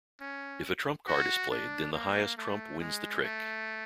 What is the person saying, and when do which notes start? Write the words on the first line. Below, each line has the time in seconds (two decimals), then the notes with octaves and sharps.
If a trump card is played then the highest trump wins the trick.
0.21 C#4
1.08 F#4
1.51 D4
1.93 A#3
2.37 A3
2.80 G#3
3.23 A3